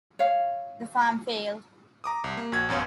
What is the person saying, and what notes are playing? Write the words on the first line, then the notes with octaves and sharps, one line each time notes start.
The farm failed.
C#5 F5
A#5 D6 D#6
C2
A#3
A#1 F#4 G#6
A1 F#2 B2 C#5 F5